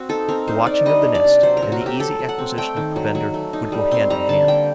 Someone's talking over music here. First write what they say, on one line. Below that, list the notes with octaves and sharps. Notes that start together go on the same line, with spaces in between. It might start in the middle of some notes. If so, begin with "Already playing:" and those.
The watching of the nest and the easy acquisition of provender would go hand in hand.
Already playing: C4 F#4
D#4 A4
C4 A#4
D#4 C5
D#4 D5
G3 D#5
D4
D5
C3
F#3 C5
A#4
F#3
F#4
A3 G4
F#3 A4
F#3
F#5
C4
A3 G5
D#3
F#3
F#3
A3
D#4
G3
C4 C6
G3 A#5
D3 A5
A#3 G5